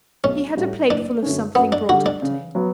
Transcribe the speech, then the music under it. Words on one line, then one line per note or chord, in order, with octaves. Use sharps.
He had a plateful of something brought up to him.
B1 C#4
A2 G3 C#4 F#4
F#1 D4
F#2 D3 A3 C#4
F#2 B3
D4
D3 G3 F#4
D4
C#3
F#3 B3